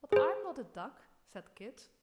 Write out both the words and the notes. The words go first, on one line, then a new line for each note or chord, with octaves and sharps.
"But I'm not a duck," said Kit.
G#4 C5